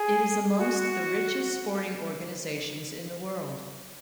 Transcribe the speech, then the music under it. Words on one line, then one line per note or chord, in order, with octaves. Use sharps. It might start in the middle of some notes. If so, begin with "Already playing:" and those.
It is amongst the richest sporting organisations in the world.
Already playing: G#4
F#4